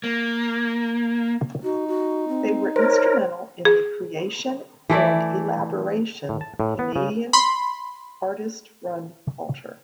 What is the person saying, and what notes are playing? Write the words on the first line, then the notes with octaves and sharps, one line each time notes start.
They were instrumental in the creation and elaboration Canadian artist-run culture.
A#3
D#4 F#4
F#4
C4
A#4 C5 C#5
G#4
E3 A3 E4 D5
A2
A5
A2
B3
C#3
B5 C6